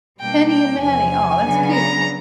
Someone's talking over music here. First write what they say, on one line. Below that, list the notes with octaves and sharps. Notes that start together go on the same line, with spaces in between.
Penny and Maddie, aw, that's cute.
B2 G3 A#3 D4 G5
G5
E2 C3 F3 G#5
C#3 F#3 B3 D4
A#5